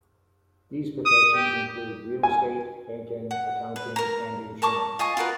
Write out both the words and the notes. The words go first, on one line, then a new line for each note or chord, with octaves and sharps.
These professions include real estate, banking, accounting, and insurance.
D#6
G4
G#5
F#5
B4
A#4 A#5
A#4 A5 C#6 D6
F4 D#5 G#5 C#6
F4 F#4 A#4 B4